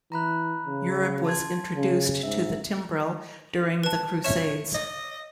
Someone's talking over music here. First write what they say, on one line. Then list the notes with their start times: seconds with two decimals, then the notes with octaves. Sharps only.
Europe was introduced to the timbrel during the crusades.
0.12 E3 A#5 B5 F#6
0.67 C#3
1.25 A5 C6 G#6
1.76 C#3
2.23 G#2 E5
3.83 B4 A5
4.24 C#5 E5 E7
4.75 D#5